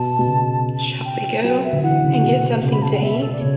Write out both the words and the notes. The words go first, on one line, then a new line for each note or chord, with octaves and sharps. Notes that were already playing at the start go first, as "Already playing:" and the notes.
Shall we go and get something to eat?
Already playing: B2 A5
B2
C#3
G5
F#3 G5
E5
D3
E3 F#5
C#3
B2
C#3
B5
A5
G5
F#5
B2 E5
A4
D5
C#3 C#5